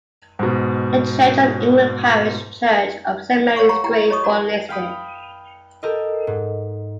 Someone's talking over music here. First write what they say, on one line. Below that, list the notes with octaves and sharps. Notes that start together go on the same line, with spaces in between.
The Church of England parish church of Saint Mary is Grade One listed.
G#2 B2
C#5 F5 F#5 C#6
F#5 A#5 C#6
E4 G4 F#5 G5 A#5
C#5 D#5 C#6 D#6
F#4 D5 A#5
F5 G5 B5 D#6
G4 A4 A#4 D#5
G#2